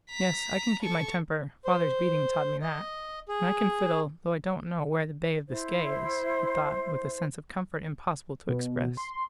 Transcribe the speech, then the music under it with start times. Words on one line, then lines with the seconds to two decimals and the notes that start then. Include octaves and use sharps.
"Yes, I can keep my temper father's beating taught me that; and I can fiddle, though I don't know where the Bay of Biscay is," he thought, with a sense of comfort impossible to express.
0.10 A#5 B6
0.82 A4 C#6
1.65 C5
2.62 D#5
3.29 G#4
5.48 E4 C5
8.49 B2
8.97 C6